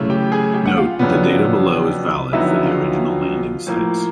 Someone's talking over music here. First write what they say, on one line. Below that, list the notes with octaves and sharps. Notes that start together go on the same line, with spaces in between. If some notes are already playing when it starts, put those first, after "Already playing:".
Note: the data below is valid for the original landing sites.
Already playing: F#2 C#3 E3 A3
G4 G5
G#4 G#5
G4 G5
F#5
F4 F5
F2 C#3 F#3 B3 D4
F2 D3 F#3 B3 D#4 E4 E5
F4 F5
A2 F3 A#3